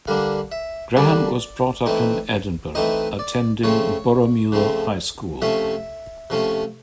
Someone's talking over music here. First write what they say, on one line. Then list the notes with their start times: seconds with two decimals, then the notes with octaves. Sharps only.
Grahame was brought up in Edinburgh, attending Boroughmuir High School.
0.07 D3 G3 A#3 D4 F5
0.52 E5
0.97 D3 G3 A#3 D4 D5
1.86 E3 A3 C4 D#4
2.75 E3 A3 C4 D#4 D#5
3.19 D5
3.63 C#3 F3 A3 C4 C#5
4.52 C#3 F3 A3 C4
5.42 C3 F3 A3 C#4 E5
6.30 C3 F3 A3 C#4